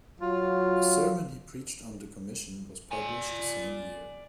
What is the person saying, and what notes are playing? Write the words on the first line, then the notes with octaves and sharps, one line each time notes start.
A sermon he preached on the commission was published the same year.
F#3 F4
D5 G#5